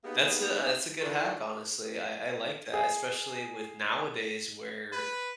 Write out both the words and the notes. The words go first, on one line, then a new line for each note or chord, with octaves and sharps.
That's a uh, that's a good hack, honestly. I I like that, especially with nowadays where
A#3 B3 D#4 G4 G#4
D#3 E3 D4 F4 A4
G#4
B4